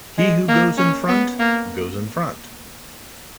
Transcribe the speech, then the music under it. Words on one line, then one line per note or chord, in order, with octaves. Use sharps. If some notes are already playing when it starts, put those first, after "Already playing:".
He who goes in front, goes in front.
G#3
A#3
C#4
B3
A#3